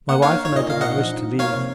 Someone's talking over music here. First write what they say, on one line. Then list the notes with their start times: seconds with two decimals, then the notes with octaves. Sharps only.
My wife and I did not wish to leave.
0.09 A#3 F#5
0.22 D#4 C#5 F5
0.38 D#4
0.44 C#5
0.52 A#2 D#5
0.66 A#2 F5
0.81 D#4 D#5 F#5
0.96 F3
1.10 D#4
1.25 F3
1.39 A#3 C#5 F5
1.54 C3